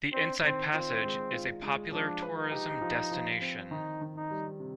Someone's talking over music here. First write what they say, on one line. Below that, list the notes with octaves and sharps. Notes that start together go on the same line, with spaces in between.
The Inside Passage is a popular tourism destination.
C4 D4
D#3 C4
C4 F4
G#3
F4
G#3
F3 D4
B4
D#4
G4
F3
F3
C4
D#3 D#4
D#3
D#4
G3
C3